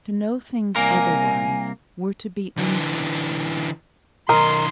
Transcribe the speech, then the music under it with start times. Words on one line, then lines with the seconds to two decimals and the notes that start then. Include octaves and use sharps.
To know things otherwise were to be unfashionable.
0.76 C2 A#3 A#4 G#5
2.57 D3 E3
4.29 B1 D#3 D#4 A#4 C6